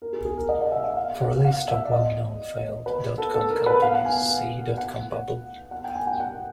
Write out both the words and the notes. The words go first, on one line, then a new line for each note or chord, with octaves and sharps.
For a list of well-known failed dot-com companies, see dot-com bubble.
A#4
G#4
G#4
A#4
D#5
D5
D#5
E5
E5
F5
F#5
F5
E5
D5
D#5
B4
A4
A4
A#4
B4
F5
F#5
G#5
G#5
F#5
F#5
G5
G#5
G5
F#5